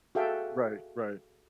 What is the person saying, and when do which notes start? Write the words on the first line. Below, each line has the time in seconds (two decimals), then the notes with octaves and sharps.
Right, right.
0.15 F#4 G#4 A4 E5 F5 G5